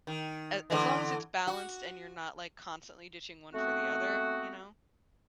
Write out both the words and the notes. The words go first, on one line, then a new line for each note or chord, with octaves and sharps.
a as long as it's balanced and you're not, like, constantly ditching one for the other, you know,
D#3
D3 E3
F#4
A3 B3 C4 F#4